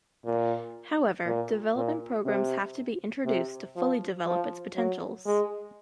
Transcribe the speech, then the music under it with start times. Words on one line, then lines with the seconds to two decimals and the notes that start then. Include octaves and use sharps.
However, development programs have to be introduced to fully develop its potentials.
0.25 A#2
1.26 A#2
1.76 A#2
2.26 C3
3.26 C3
3.76 F3
4.26 F3
4.76 F#3
5.26 G#3